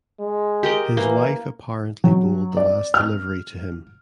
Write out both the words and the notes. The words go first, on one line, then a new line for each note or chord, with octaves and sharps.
His wife apparently bowled the last delivery to him.
G#3
G4 A#4 D#5
E3 A#3
F#3
D5
F6